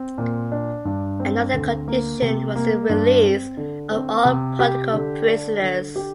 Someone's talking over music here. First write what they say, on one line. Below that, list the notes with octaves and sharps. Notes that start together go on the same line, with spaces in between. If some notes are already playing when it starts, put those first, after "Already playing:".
Another condition was the release of all political prisoners.
Already playing: C4
A#2
D4
G2
C4
D2
A#3
C3
A#3
G2
C4
D3
C4
C3
G4
D3
D4
D3
G4